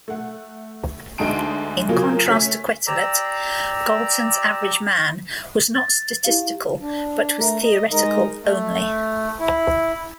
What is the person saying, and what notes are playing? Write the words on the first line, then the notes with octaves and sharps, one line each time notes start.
In contrast to Quetelet, Galton's average man was not statistical but was theoretical only.
A3 F#5
D2 D3 G#3 D#4 A5 D7
C#3 F#3 A#3 F4
A3 C#4 B6
G4 D5 A#5 E6
A6
E4 G4 F5
D4
A3 A#4
D#5
G#3 D#4 A#4 D#5
A3
E4